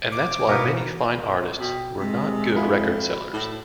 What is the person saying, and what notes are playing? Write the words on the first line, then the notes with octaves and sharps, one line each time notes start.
And that's why many fine artists were not good record sellers.
D6
B2 E3 B3 A#4 C5 F5
B2 G5
C3 G#3
F2 E4 F#4 B5
A2